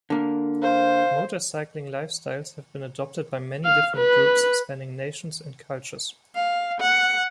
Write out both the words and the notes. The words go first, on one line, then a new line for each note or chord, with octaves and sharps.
Motorcycling lifestyles have been adopted by many different groups spanning nations and cultures.
D3 A#3
C5 F5
F5
B4
F5
F#5